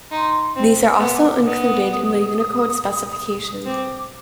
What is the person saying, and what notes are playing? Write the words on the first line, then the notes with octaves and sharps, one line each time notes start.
These are also included in the Unicode specification.
D#4 C6
C4
B3 D6
B3 D#6
D#6
C4 D6